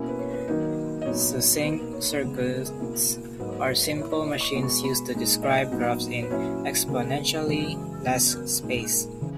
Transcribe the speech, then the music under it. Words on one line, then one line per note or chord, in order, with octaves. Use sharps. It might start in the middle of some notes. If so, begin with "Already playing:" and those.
Succinct circuits are simple machines used to describe graphs in exponentially less space.
Already playing: B2 A#3 C#4 E4
B4
C#5
B4
D#3 F#3 A#3 D#4 A#4
D#5
A#2 F#3 B3 D#4 C#5
B2 A#3 D#4 B4
A#4
C#5
C#3 G#3 B3
A#4
G#4
B2 A#3 E4 A#4
G#2 F#3 A#3 D#4 B4
C#5
B4
A#2 A#3 E4 C#5
C#5
D#5
C#6
B2 G#3 B3
C#6
B5
A#2 G#3 D#4
D#5
A#2 F#3 B3 D#4
B4
A#2 F#3 C#4 E4 C#5
C#3 G#3 B3 A#4
F#2 C#3 E3 G#3 G#4
E2 C#3 F#3 B3
A#4
A#2 G#3 D#4
A#4
C#3 E3